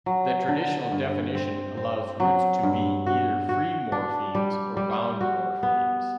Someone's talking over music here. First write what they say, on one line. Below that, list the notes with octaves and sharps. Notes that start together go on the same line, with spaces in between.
The traditional definition allows roots to be either free morphemes or bound morphemes.
F#3
D3
G2
C4
C4
F#3
G2
F#4
F#4
D4
G3
G3
F#4
B3